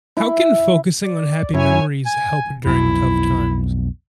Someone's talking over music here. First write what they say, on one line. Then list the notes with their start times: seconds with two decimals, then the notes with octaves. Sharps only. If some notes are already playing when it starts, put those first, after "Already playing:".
How can focusing on happy memories help during tough times?
0.17 E4
1.04 D5
1.54 F#2 C#4 E4 C#5 G#5
2.06 G#5
2.66 B1 F2 E4